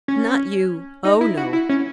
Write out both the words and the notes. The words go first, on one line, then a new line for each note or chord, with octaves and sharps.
"Not you--oh no!"
C#4
D#4
E4
F#4
E4
C#4